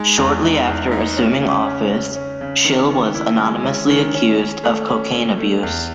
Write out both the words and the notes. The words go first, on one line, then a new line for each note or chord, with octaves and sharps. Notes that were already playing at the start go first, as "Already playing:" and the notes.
Shortly after assuming office, Schill was anonymously accused of cocaine abuse.
Already playing: G#3 D#4
E2
D#4
E2
D#4
C#4
C#3
C#4
C#4
C#4
C#3
D#3
D#3
E4
G#3
C#4
D#3
C#4
C#4
A3
C#4
C#4
A3
E2